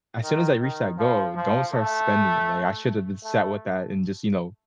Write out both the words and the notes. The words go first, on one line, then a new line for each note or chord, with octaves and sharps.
as soon as I reach that goal, don't start spending it, like, I shoulda just sat with that and just, you know,
D#3
D#3
F3
F3
A3
A3